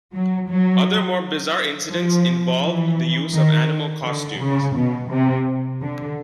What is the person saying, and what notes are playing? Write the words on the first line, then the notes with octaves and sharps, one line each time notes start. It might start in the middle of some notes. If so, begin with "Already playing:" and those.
Other more bizarre incidents involved the use of animal costumes.
F#3
F#3
F3
E3
D#3
D3
C#3
B2
C3
D3